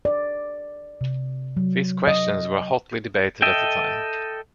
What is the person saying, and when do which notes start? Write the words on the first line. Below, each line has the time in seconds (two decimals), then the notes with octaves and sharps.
These questions were hotly debated at the time.
0.05 D5
1.01 C3
1.57 F#3
2.07 D#5
3.42 A4 D#5 E5 G5